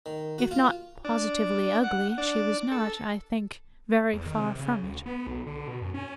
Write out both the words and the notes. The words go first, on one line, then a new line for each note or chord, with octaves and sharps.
If not positively ugly, she was not, I think, very far from it.
D#3
F#4
F4
D4
F#5
D4
A4
E2
D#3
C3
C#3
D2
B3
B1
D3
B2
F#2
C#4